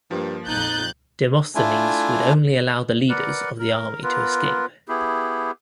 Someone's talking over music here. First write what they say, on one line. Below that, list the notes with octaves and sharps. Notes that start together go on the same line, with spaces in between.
Demosthenes would only allow the leaders of the army to escape.
G2 F3 A#3
A#1 F2 D#4 F#6 G6 A6
A3 D4 E4 F4 G#5
A#4 B4 D5 F#5
A#4
B3 F4 A#4 B4
B3 E4 G4 G#4